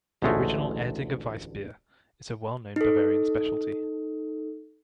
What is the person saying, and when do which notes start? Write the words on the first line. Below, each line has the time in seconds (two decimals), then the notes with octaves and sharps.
The original Erdinger Weissbier is a well-known Bavarian specialty.
0.22 A1 D2 G#3 A3
2.76 D#4 A4